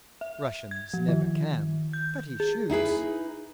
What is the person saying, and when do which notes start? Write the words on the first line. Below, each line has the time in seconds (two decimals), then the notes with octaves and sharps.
"Russians never can; but he shoots."
0.21 E5
0.71 G#6
0.94 F3
1.08 D#3
1.93 G6
2.40 G#4
2.70 D#4 E4 G#4 B4